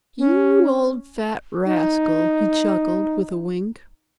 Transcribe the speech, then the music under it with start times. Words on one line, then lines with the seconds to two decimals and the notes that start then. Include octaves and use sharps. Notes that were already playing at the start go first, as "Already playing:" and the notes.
"You old fat rascal!" he chuckled, with a wink.
0.18 C#4
1.65 D#4